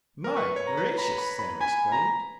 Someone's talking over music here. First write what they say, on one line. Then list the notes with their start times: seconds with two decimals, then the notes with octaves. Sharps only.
"My gracious!" Sam exclaimed.
0.24 A#4
0.36 B4 C#6
0.56 C#5
0.67 A#5
0.77 B4
0.98 A#5 B5
1.18 B5
1.39 B5
1.61 G#5 B5
1.92 A#5